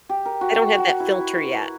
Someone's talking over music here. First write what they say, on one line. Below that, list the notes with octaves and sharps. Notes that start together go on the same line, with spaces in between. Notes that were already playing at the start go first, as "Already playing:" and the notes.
They don't have that filter yet.
G4
A#4
F#4
F#4
F#4
E4
E4
B4
A#4